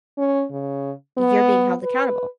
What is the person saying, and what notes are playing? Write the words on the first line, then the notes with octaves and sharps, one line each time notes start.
"You're being held accountable."
C#4
C#3
B3
B4